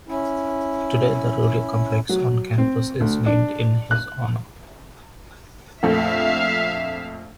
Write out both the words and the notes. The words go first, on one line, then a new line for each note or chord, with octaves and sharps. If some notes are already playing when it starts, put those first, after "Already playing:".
Today, the rodeo complex on campus is named in his honor.
C#4 E4
F#3
C4
D2
D4
F#6
A#1 F2 A3 E5 F5